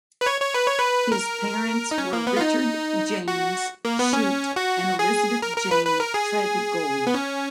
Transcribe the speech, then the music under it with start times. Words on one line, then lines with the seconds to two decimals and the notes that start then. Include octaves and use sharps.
His parents were Richard James Shute and Elizabeth Jane Treadgold.
0.21 B4
0.26 C#5
0.41 C#5
0.54 B4
0.67 C#5
0.79 B4
1.12 A#4
1.91 D#4
1.98 C#4
2.13 A#3
2.27 B3
2.36 F4
2.41 D#4
3.28 F#4
3.85 A#3
3.99 B3
4.13 C#4
4.56 F#4
4.99 G#4
5.42 A#4
5.57 A#4
5.71 B4
5.85 B4
6.00 A#4
6.14 G#4
7.07 B3
7.14 C#4